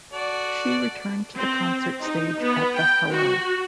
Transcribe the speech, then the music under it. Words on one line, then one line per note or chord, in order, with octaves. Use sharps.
She returned to the concert stage at the Hello!
F#4 A4 D5
C4
D#4
B3
G5
F#4